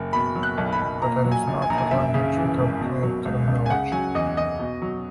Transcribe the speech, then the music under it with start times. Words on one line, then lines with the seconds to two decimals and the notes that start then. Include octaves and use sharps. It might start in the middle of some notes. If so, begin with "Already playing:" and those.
But there is no good language without clear terminology.
Already playing: F#1
0.13 B2 B5
0.35 F#3
0.43 F#6
0.58 B1
0.72 B5
0.81 B1
1.02 A#2 A#5
1.24 F#3
1.32 G#5
1.47 A#1
1.62 G#5
1.70 A#1 A#5
1.78 G#5
1.91 F#2 E5
2.14 C#3
2.36 E3
2.58 G#1
2.80 B2
3.03 F#3
3.25 C#2
3.47 C#2
3.66 G#5
3.70 C#3 F#5
3.92 F#3 G#5
4.14 E2 D#5
4.36 E2 D#5
4.59 B2
4.82 F#3